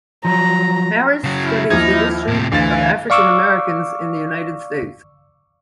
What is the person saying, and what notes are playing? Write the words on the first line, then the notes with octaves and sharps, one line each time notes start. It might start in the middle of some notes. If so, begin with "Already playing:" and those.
Harris studies the history of African Americans in the United States.
F3 F#3 A#5
C#3 F#3
E4 F6
D#2 F3 D#4 G#6
A2 C3
D2 E3 F5 G#5 A6
D5 F5 C#6 D6 E6